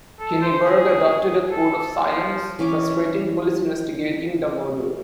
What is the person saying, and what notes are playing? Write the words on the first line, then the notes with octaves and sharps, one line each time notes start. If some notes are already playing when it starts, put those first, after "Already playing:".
Kinniburgh adopted a code of silence, frustrating police investigating the murder.
A4
C5
G#4
A4
F3
E3 C#4 C#5 D6